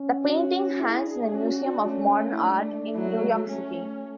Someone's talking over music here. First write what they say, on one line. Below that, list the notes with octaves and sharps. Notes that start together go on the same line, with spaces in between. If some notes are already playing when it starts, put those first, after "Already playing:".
The painting hangs in the Museum of Modern Art in New York City.
Already playing: C#4
F#4
E4 G#4
D4
C#4 F#4
D4
A3 C#4
E4
D4
F#3 E4
A3
G#3
A3
A3 C#4